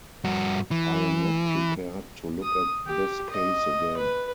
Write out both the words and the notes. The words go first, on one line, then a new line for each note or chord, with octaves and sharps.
I am not prepared to look at this case again.
G2 F#4
E3
D#6
G4
D#5
B4